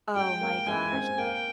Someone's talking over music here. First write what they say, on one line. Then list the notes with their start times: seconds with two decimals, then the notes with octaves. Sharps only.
Oh my gosh.
0.15 G#3 G5
0.41 A#3
0.66 G#3 G#5
0.92 C4
1.18 A#3 G5